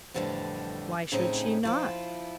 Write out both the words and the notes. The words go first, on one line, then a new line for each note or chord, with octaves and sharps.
Why should she not?
F2 A2 D3 E3 G3
A2 C#3 C4 C#4 D#4 E4
F3 E4 F4